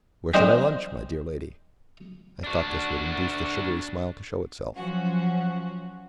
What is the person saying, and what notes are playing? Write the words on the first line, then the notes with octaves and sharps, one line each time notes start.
"Where should I lunch, my dear lady?" I thought this would induce the sugary smile to show itself.
C4 D4 C5 D#5 G5
D4 F#4
F3 F#3 C#4 F#4